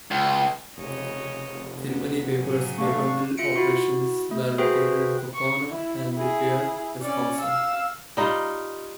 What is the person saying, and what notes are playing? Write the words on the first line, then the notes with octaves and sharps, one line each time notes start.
Thilmany Papers paper mill operations were located in Kaukauna and De Pere, Wisconsin.
C#2
F1 C#3 C#5 D#5
B3
A2 C#3 F#3
A3 D4 F5 C#6
F4 E5 C#7 D7
E4 F#4
A3
F#4 G#4 B4 C5 E5 G5
C#6
E4
E4 G#4
C#4 D5
F5 E6
G3 D#4 F4